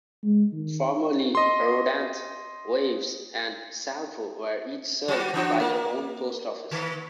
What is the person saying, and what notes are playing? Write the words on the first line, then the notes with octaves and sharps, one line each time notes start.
Formerly Rodanthe, Waves and Salvo were each served by their own post office.
G#3
D#3
D#5 C6
F#3 F#4
E3 D4 F#4
A#3
D#3